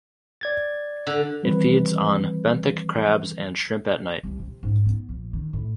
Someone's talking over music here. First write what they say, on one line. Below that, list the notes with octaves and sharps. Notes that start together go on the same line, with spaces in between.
It feeds on benthic crabs and shrimp at night.
D5 G#6 A6
D3
D#3 E3 G3 C4 B4
C2
C3
G#2
B3
A#1
D#3
A2